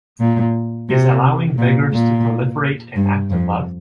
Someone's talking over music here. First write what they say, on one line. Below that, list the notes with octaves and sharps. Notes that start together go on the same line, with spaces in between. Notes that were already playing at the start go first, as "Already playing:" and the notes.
Is allowing beggars to proliferate an act of love?
A#2
C3
A#2
A#2
G2
F2